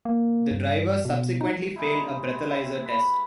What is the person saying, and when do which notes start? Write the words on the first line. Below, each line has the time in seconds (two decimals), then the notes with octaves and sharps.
The driver subsequently failed a breathalyser test.
0.05 A#3
0.51 G2
1.05 B2
1.41 D#4
1.76 G3 G#3 D#4 E4
2.49 C4 E4
2.85 B4 B5